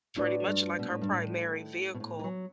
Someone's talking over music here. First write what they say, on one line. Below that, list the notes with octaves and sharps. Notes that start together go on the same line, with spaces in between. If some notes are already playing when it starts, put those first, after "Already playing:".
pretty much, like, her primary vehicle,
A2 A3 D4 F#4 B4 D5
G2
B2
A2
G2
A2
B2
A2
E3
F#3